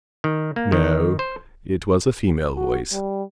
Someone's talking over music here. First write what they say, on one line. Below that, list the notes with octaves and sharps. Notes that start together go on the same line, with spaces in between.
No, it was a female voice.
D#3
A#3
D#3
C5
F#4
G3